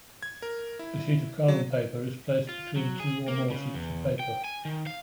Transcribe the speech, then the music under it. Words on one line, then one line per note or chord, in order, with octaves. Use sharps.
A sheet of carbon paper is placed between two or more sheets of paper.
G#6
A#4
E4
F#3
F4
F#3
G#4
A#3
C#3
E2
G5
G#5
D#3
F5